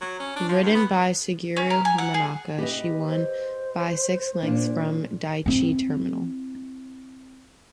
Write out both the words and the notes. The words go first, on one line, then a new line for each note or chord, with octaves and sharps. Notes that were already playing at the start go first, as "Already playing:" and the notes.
Ridden by Suguru Hamanaka she won by six lengths from Daiichi Terminal.
F#3
C#4
D4
F3
G2
B3
C#4
A#4
G#5
F#5
G#4
G4 B4 D#5
C5
A#2 D4
C4 E4